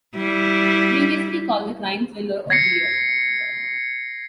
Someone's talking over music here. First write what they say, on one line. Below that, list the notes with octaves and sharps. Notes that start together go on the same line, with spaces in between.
Previously called the Crime Thriller of the Year.
G3 E4
G#6 A#6 C7 C#7